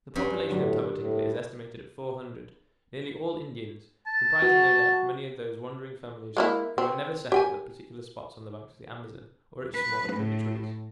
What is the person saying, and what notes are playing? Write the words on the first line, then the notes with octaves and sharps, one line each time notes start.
The population of Tabatinga is estimated at four hundred, nearly all Indians, comprising, no doubt, many of those wandering families who are never settled at particular spots on the banks of the Amazon or its smaller tributaries.
G2 C4 C#4
A2 D3 F#3 D4
A2
A5
F#4
G#3 A#3 E4
C4
G4 G5 G#5
B4
A2